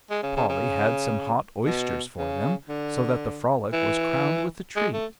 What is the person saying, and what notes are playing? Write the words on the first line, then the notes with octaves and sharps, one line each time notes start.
Polly had some hot oysters for them, so that the frolic was crowned with a treat.
G#3
C#3
C#3
C#3
B2
C#3
D3
E3
G#3
A3